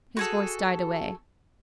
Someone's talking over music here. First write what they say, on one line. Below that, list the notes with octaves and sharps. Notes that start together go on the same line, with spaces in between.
His voice died away.
F#4 G#4 A4